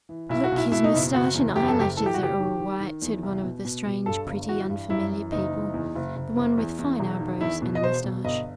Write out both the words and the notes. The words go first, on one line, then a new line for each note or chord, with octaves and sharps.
"Look, his mustache and eyelashes are all white!" said one of the strange, pretty, unfamiliar people--the one with fine eyebrows and mustache.
E3
B1 E4
F#4
B1
E4
B2 E4
D#4
F#1 E4
F#1 F#4
E2
F#2 G4
A4
F#1 G4
E3 A4
G4
F#4
F#1 G4
D#3
D#3
D#3
E2
C2
B2
B2
B2
G2 A4
G1
E3 F#4
G2
F#2 E4
E3
F#1 D#4
E3
E2
F#1
F#1
F#1
E2
E2
E1
D#3
E2 E4
B2
D#5
E1 C5
B2
G1 D#5